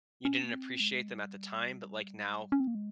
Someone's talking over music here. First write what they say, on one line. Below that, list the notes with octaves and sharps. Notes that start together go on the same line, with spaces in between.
you didn't appreciate them at the time, but, like, now,
C#4
A#3
C4
G#3
G3
C#4
C4
A#3
G#3